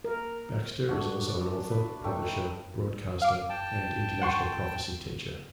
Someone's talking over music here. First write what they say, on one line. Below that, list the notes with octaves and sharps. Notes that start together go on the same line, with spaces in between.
Baxter is also an author, publisher, broadcaster and international prophecy teacher.
A#4
A3 D4 F#4
D5
B4
A3 D#4 G5
F5 D6
G5 A5
F#5 C6 C#6